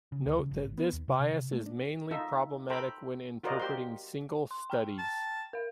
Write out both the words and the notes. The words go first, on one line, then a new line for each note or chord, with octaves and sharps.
Note that this bias is mainly problematic when interpreting single studies.
C#3
D2
C#3
G1
G#1
B3
D#2
C3
C3
C3
A3
D4
D#4 F4 A4 E5
A4 C5 G5 A#5 B5
F4 F#4 A#4 C5 D5 D#5
G4 C5 C6
C6
G5 A#5 F6
A5
A#4 F5